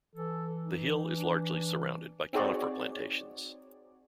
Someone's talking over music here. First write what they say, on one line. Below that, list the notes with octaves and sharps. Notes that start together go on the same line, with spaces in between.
The hill is largely surrounded by conifer plantations.
E3 A4
D#4
D4
C4 D#4 F#4 G#4 C#5 D5